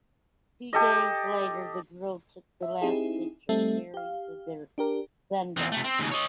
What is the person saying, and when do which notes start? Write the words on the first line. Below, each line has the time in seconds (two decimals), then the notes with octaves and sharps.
Two days later the girls took the last picture, "Fairies and Their Sun-Bath".
0.73 G4 A4 D#5
2.62 E5
2.82 C4 D#4 E4 G4 G#4
3.49 G3 A3 C4 D#4 A4 E5
3.94 G4 F5
4.78 D4 G4 A#4
5.57 E2 C4
5.72 C3 A3
5.84 C4
5.99 D#2 C#3
6.11 C#5 D#5